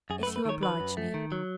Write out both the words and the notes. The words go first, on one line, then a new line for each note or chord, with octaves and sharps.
"If you oblige me."
F#2 G#4
B4
A3
B4
D#3 C#5
F#3 B4
F#2
A3
D#3
F#3